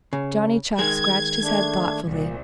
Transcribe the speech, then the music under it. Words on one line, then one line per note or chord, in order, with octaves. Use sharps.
Johnny Chuck scratched his head thoughtfully.
C#3
D#3 G#3 G#6
A3 D4
C2 A#2